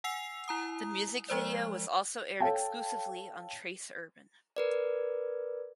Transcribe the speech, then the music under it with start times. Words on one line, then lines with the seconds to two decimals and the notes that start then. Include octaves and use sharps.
The music video was also aired exclusively on Trace Urban.
0.04 F#5 G#5 E6 C7 F7
0.48 E4 A#5 D#6
1.29 F3 G#3 C5 D5
2.40 A4 C#5 F5 G5 A5
4.56 A#4 B4 D5